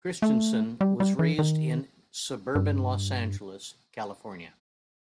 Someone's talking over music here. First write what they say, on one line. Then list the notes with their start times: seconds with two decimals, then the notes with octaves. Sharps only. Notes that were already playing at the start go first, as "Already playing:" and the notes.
Christensen was raised in suburban Los Angeles, California.
0.22 A3
0.81 G3
1.00 G3
1.19 E3
1.39 D#3
2.55 G2